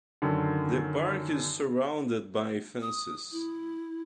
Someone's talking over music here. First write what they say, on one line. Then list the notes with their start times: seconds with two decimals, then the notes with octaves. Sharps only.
The park is surrounded by fences.
0.22 F#2 D3 D#3
2.82 D#6
3.32 E4